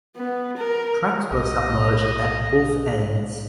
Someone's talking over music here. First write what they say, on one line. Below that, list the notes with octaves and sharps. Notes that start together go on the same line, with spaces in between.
Tracks were submerged at both ends.
B3
A#4
B1 D#5